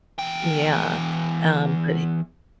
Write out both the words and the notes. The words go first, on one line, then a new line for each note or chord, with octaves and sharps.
Yeah, th um, but he
E2 G5